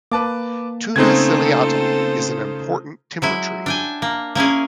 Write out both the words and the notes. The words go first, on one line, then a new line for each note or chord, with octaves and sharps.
"Toona ciliata" is an important timber tree.
A#3 B4 A5 D6
C#3 A3 C4 D#4 F4 A4 C5 G#6
F#3 G#3 E4
D4 G5 G#5
A#3
A#3 C#4 E4 G#4